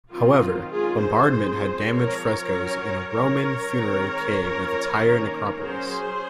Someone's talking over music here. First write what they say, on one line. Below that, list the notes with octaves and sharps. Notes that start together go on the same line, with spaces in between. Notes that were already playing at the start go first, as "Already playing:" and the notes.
However, bombardment had damaged frescoes in a Roman funerary cave at the Tyre Necropolis.
D#3 F#3 C4 F4
D#3 G#3 C#4 F4 G#4
G#4 C5
F3 G#3 C4
F3 C4 A#4 C#5
F#3 C#4
F#3 C#4 A#4 C#5
D#3 G#3 C4
F3 A#3 C#4
D#3 A#3 C#4
F#3 C#4 G#4 C5